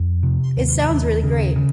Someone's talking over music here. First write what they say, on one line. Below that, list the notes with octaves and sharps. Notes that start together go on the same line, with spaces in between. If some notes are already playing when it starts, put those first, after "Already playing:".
It sounds really great.
Already playing: F2
C3
D#2
D#2
C#3
C#3